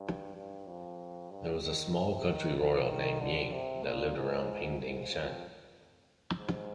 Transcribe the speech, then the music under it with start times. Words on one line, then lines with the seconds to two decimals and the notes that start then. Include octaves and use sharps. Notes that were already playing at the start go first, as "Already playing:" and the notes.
There was a small country royal named Ying that lived around Pingdingshan.
Already playing: G2
0.35 G2
0.67 F2
1.30 G2
1.63 D#3
1.94 C3
2.26 D#3
2.57 F3
2.89 D#3
3.20 D3
3.52 C3
3.83 A#2
4.16 G#2
4.79 G#2
5.11 F2
6.38 G#2